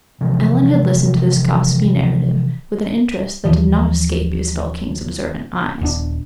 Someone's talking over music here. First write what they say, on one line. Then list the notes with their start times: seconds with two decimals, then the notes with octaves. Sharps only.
Alan had listened to this gossipy narrative with an interest that did not escape Isabel King's observant eyes.
0.21 C3 E3 F3
3.45 D#2 E3 F3
5.81 D#1 B3 D4